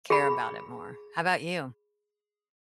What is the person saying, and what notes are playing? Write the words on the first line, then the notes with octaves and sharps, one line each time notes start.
care about it more. How 'bout you?
G#4 B5